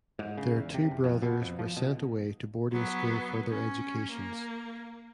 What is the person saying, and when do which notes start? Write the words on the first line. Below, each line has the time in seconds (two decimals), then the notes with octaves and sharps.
Their two brothers were sent away to boarding school for their educations.
0.19 G#2
0.37 C#3
0.56 E2
0.74 C3
0.91 F#1
1.04 F2
1.22 B2
1.42 F2
1.59 F3
1.77 B2
2.72 F#3 B3
3.49 C#4
4.10 A#3